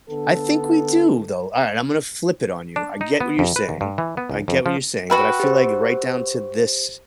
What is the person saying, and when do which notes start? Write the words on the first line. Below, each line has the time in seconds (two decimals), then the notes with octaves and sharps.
I think we do though. All right, I'm gonna flip it on you. I get what you're saying, I get what you're saying, but I feel like right down to this
0.10 D3 B3 A4
2.76 D4
3.01 D#4
3.20 B3
3.39 F2
3.56 B4
3.69 D#2
3.81 G2
3.98 E3
4.17 B3
4.30 C#2
4.48 F2
4.66 F3
5.10 F#4 B4 E5 G5
5.40 G4 C5